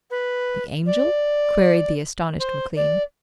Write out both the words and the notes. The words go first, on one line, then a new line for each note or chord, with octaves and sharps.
"The Angel?" queried the astonished McLean.
B4
D5
C5
D5